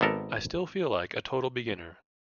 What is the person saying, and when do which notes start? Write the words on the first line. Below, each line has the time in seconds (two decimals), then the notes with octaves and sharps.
I still feel like a total beginner.
0.01 G#1 B3 A4 A#4